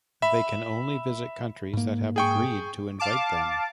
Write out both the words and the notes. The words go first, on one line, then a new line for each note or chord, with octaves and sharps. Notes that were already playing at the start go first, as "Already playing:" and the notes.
They can only visit countries that have agreed to invite them.
E5 B5
G#2 A#3
G#4 G5 C#6
F5 A5 D6